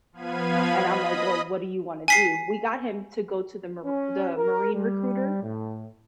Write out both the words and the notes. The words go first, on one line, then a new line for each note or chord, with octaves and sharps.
And I'm like, "Well, what do you wanna do?" We got him to go to the Mar the Marine recruiter,
F3 B3 F5 B5 G#6 D#7
D#5 B5 D#6
G#5 B6 C7
C#4
A#4
G3
A2